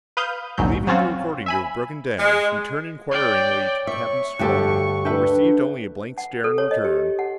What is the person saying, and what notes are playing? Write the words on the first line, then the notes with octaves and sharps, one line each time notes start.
Believing the recording to have broken down, he turned inquiringly to Captain Strong, but received only a blank stare in return.
B4 F5 D#6 G6
A#1 D#2 G#2 F#3 G6
F#3 C4 C#4 F4 F#4
E5 G#5 B5
G#3
C#5 D5 G5
E5 C#6
D2 G2 F#4 G4 A4
D4 B4 E5 G5
F#5
A4
C#5
D#5
G4
F#5